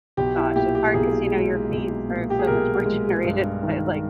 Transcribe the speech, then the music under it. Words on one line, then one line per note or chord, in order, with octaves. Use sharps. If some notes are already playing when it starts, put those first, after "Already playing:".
gosh, it's hard 'cause, you know, your feeds are so much more generated by, like,
B1 G4
E4
A#2 G4
G4
B1 G#4
G#3
B1
A#2
G4
G#4
B1 A#4
G#3
G2
D#3